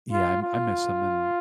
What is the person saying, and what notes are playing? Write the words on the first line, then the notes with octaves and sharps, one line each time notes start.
Yeah, I I miss him and
F4
F4